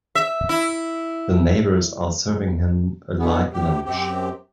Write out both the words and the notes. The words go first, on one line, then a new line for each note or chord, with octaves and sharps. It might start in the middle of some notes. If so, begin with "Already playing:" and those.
The neighbors are serving him a light lunch.
E5
E4
B2 D3 E3 B3
D2 G4
F#2 C4 G4